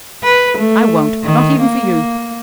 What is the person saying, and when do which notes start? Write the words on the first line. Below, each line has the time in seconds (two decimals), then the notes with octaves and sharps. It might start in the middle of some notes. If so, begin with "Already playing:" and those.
I won't, not even for you.
0.23 B4
0.58 A3
1.23 D#3
1.61 A#3